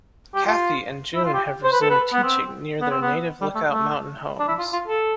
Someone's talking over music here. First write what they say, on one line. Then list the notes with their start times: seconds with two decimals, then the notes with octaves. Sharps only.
Kathy and June have resumed teaching near their native Lookout Mountain homes.
0.35 G4
0.46 F4
1.15 E4
1.25 F4
1.34 G4
1.64 C5
1.72 B4
1.81 A4
1.90 B4
2.13 B3
2.23 C4
2.81 B3
2.91 C4
3.01 B3
3.41 G3
3.55 A3
3.71 A3
4.39 D4
4.48 E4
4.59 F4
4.73 F4
4.88 A4